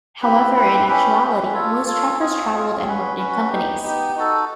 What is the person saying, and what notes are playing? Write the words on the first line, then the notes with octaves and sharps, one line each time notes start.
However, in actuality, most trappers traveled and worked in companies.
C4 E4 G4 B4
C4 E4 G4 B4
C#4 E4 G4 B4
C#4 E4 G4 B4
F4 A4 C#5
F4 A4 C#5
C4 F4 G#4 C#5
C4 F4 G#4 C#5
C#4 F#4 B4
C#4 F#4 B4
B3 D#4 G4
B3 D#4 G4
D#4 F#4 A4